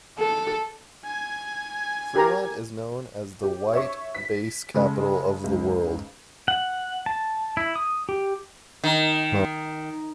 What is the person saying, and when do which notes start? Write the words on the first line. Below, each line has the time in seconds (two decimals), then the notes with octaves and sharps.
Fremont is known as "the white bass capital of the world".
0.19 A4
1.04 G#5 G#6
2.16 G4 A#4 A#5
3.43 G4
3.73 C#5 E5 C#6
4.15 B6
4.74 C#3 G#3 G#4 A4
5.44 C#2 G#2
6.48 F#5
7.06 A5
7.57 E4
7.76 D#6
8.09 G4
8.84 D#3